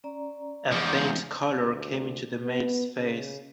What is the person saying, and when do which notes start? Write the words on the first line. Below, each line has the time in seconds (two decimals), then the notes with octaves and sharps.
A faint colour came into the maid's face.
0.04 C#4 D5 A#5
0.72 E2 G#2 F3
1.58 D2
2.43 B3
2.98 C#3